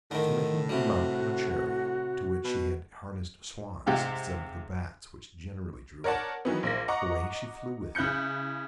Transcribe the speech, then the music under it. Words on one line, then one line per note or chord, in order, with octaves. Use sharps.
So, making him mount her chariot, to which she had harnessed swans instead of the bats which generally drew it, away she flew with him.
A2 D3 D#3
C3 G3 F#4
B2
G#2 C3 G#3 G4 F5
A#4 C#5 D5 F#5 A5
D#3 E3 F#3 B3
A#1 A#3 A#6
D#5 F#5 A#5 C#6 D6
C#3 E4 F#6 G6 C#7